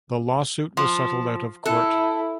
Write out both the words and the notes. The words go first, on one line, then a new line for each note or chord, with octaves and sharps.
The lawsuit was settled out of court.
F3
E4 A4